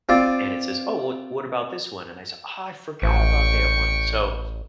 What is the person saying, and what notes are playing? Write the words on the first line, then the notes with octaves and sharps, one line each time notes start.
and it says, "Oh, wha what about this one?" and I said, "Oh, I forgot about that one." So,
C4 F4 D5
A1 G5 C#6